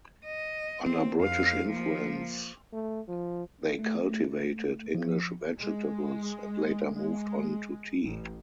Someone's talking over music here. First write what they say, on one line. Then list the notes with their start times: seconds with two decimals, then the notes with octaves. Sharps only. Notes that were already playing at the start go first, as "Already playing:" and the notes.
Under British influence they cultivated English vegetables and later moved on to tea.
0.26 D#5
0.84 C4
1.19 F2 F5
1.67 F3 A#3
2.73 A3
3.08 F3
3.79 A3
4.95 F3
5.60 G#3
6.97 G#3
8.04 A1